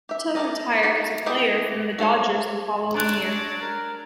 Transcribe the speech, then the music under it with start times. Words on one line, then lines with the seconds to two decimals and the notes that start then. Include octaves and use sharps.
Mota retired as a player from the Dodgers the following year.
0.09 G4 E5
0.35 G4 A4 A#4 D5 D#5
0.83 D#4 F#4 G4 G5 A5
1.26 E4 G4 G#4 D#5 G5
1.98 F#4 A4 C5 C#5
2.94 F#3 D4 D5 A#5 F#6
3.61 A#4